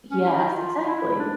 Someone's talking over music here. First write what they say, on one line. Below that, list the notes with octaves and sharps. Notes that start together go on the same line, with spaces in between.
Yes, exactly.
C#4
E4
F4
E4
D4